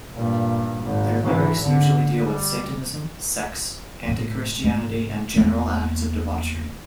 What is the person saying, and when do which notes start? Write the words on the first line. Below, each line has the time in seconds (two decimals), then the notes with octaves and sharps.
Their lyrics usually deal with Satanism, sex, anti-Christianity, and general acts of debauchery.
0.15 G2 A#2
0.84 G#1
1.24 G#1 E3
1.63 D3
2.18 G3
4.08 A2
4.64 G#2 C3
5.36 E2 A#3